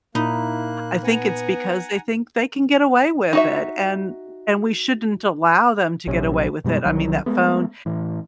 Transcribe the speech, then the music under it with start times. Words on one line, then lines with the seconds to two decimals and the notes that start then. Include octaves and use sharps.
I think it's because they think they can get away with it, and and we shouldn't allow them to get away with it. I mean, that phone
0.15 A#2 A#3 D#4 E4 B5 F#6
1.04 B3 F#5 G#5 A#5
3.33 D#4 F#4 E5
6.07 A#1 C3 F#3 C#4
6.64 F#2 B2 G3 G#3
6.85 C2 D#3 F#3
7.26 G#3 A3 B3
7.86 A2 E3